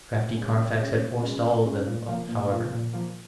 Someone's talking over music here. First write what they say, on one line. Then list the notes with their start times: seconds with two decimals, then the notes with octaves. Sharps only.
Crafty Carfax had forestalled them, however.
0.15 A#2
0.37 G#3 C#4
0.58 A#2
0.79 G#3 C#4
1.01 A#2
1.23 G#3 C#4
1.44 A#2
1.65 G#3 C#4
1.86 A#2
2.08 F3 A#3
2.29 A#2
2.51 F3 A#3
2.72 A#2
2.93 F3 A#3